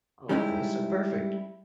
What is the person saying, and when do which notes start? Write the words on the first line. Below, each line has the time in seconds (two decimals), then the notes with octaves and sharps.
Oh, okay, so perfect.
0.29 G3 G#3 C#4 D#4 E4 G4